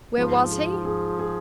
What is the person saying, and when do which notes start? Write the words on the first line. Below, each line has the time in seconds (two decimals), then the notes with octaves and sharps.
Where was he?
0.16 G#2 F3
0.51 G#4
0.85 G#4
1.19 G#4